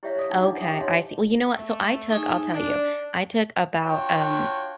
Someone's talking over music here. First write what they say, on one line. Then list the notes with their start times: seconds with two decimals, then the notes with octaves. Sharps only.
Okay, I see, well, you know what? So, I took I'll tell you, I took about, um,
0.03 E4 G4 C#5 D5 E5 F5
0.18 D5 F5 D#6
0.30 D4 D#4 F4 F#4
0.43 D4 E4 F#5 D6
0.60 G4 A4 E5 G5 G#5
0.78 D#4 C#5 D#5 F5 F#5 C6
1.53 A3
2.10 D#4 G#4 G#5
2.54 D4 D5
3.82 D4 F4 F#4 C#5 G5